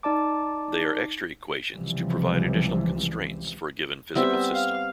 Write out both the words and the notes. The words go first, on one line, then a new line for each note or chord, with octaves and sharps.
They are extra equations to provide additional constraints for a given physical system.
D#4 D5 A5 D6
C#2 C3 E3 F3 G3
G3 B3 C4 E5
F5